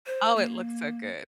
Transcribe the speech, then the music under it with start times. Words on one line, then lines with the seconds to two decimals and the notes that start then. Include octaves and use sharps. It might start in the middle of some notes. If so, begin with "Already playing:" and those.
Oh, it looks so good.
0.06 C5
0.36 A#3